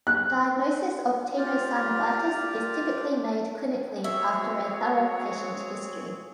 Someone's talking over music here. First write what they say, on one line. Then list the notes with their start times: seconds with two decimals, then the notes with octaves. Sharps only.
Diagnosis of tenosynovitis is typically made clinically after a thorough patient history.
0.07 F#6
1.37 F4 G4 D5 F6
4.04 C4 F#4 G#4 C#5 E5